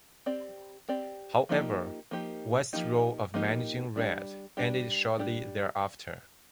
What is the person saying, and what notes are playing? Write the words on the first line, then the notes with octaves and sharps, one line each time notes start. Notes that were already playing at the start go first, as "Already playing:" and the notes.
However, West's role of managing Red ended shortly thereafter.
C4 G4 D5
C4 G4 D5
F3 A#3 D#4 G4
F3 A#3 D#4 G4
F3 A#3 D#4 G4
F3 A#3 D#4 G4
G3 D4 G4
G3 D4 G4
G3 D4 G4